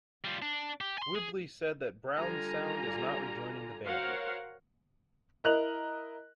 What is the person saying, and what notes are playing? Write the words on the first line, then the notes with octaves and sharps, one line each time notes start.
Whibley said that Brownsound is not rejoining the band.
G3 F4
D4
G4
G#5 C6
G#4
D3 G3 F4 G#5 A#5
F#4 A#4 C5 C#5 F5 F#5
E4 A#4 D#5 F#6 F7